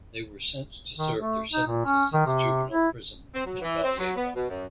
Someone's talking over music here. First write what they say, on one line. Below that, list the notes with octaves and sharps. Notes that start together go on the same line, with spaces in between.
They were sent to serve their sentences in the Juvenile Prison in Valjevo.
D#3
A3
D#4
A#2
C#4
D#3
C3
E4
C4
F#3
E3
C4
F#3
B3
B2
F#2